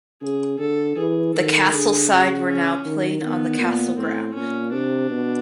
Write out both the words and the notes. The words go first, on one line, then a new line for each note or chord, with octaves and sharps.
The Castle side were now playing on the Castle ground.
C#3 G#4
D3 A4
E3 G#4
D#3 A4
D3 G#4
C#3 F#4
C#4
D#3
D#3 B3
A#2
A2 C4
A#2 C#4
C3 D4
B2